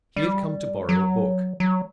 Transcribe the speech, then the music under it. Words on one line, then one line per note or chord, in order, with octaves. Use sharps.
He had come to borrow a book.
G3
F#3
F#3